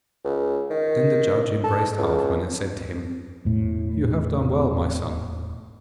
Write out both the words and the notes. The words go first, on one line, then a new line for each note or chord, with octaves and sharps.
Then the judge embraced Halfman and said to him: 'You have done well, my son.
C#2
D#3
A4
C#2
E1 A2